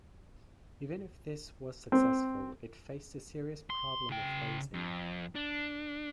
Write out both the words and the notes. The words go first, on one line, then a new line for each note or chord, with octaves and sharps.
Even if this was successful it faced the serious problem of basing.
C4
C6
C#3 G5
F2
D4